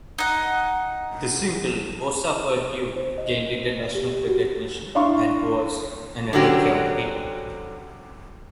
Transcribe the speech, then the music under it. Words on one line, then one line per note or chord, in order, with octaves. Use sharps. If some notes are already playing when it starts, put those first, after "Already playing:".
The single "Bossa Per Due" gained international recognition and was an underground hit.
D#4 F#5
C5
D#5
G4
F#4
D4 E4 F5 C6 C#6
D3 F#3 C4 C#4 F#4 G4